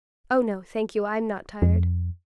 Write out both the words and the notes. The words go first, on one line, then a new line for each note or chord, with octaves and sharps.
"Oh no, thank you, I'm not tired."
F2